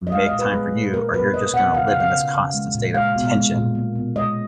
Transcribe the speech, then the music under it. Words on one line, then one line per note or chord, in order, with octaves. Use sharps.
make time for you or you're just gonna live in this constant state of tension,"
D#5
G#3 F5
D#5
A#2
B4
G#3 G#4
A#2
A#3 A#4
B2 B4
B2 D#5
B2 F#5
C#3 F5
F5
C#3
F5
C#3
C#3
G#3
A#2
G#3 F5
B2
G#3
A#2
A#3
B2
G#3 D#5